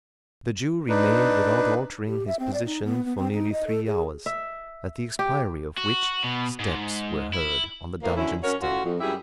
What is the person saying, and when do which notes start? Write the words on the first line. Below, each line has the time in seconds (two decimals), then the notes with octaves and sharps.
The Jew remained, without altering his position, for nearly three hours, at the expiry of which steps were heard on the dungeon stair.
0.89 D4 D#4 B4
2.08 G4
2.27 E5
2.39 C4
2.54 D5
2.66 D#4
2.85 B3
3.05 B3
3.17 C4
3.33 D#4
3.52 D#5
3.67 A4
3.86 G#4
4.26 E5
5.19 G4
5.77 F#4
6.24 B2
6.60 G#2
7.33 E4
8.03 A2 E3 F3 A3 A#3
8.15 F#2 D3 C#4 E4
8.43 F#2 C#4 F#4 A#4 C#5
8.62 A2 C#4 F4 F#4
8.84 F2
9.00 F#2 G3 E4 G4 G#4 E5